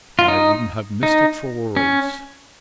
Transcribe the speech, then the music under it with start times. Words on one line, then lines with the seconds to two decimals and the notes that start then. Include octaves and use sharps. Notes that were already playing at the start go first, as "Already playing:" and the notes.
"I wouldn't have missed it for worlds."
0.19 F4
0.28 D#4
1.03 D#4
1.76 C#4